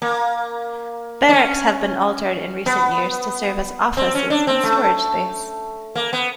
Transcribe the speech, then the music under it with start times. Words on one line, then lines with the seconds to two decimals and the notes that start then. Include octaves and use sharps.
Barracks have been altered in recent years to serve as offices and storage space.
0.02 A#3
1.29 D4
1.33 C#4
2.66 B3
3.97 C4
4.15 C#4
4.30 D4
4.47 C4
4.64 A3
5.95 A#3
6.13 B3